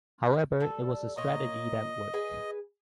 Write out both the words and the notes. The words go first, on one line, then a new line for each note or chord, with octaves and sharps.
However, it was a strategy that worked.
G3 A4
A#2 A#3 C#5 D#5
G#4 B4 G#5